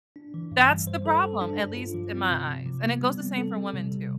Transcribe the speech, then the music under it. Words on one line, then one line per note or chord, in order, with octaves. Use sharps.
That's the problem, at least in my eyes, and it goes the same for women too.
D4
E3
G2
G3
C5
A4
A4
D4
G2
F4
F3
C4
C3
C3
F3
B3
G3
C4
A4
G3
C3
C3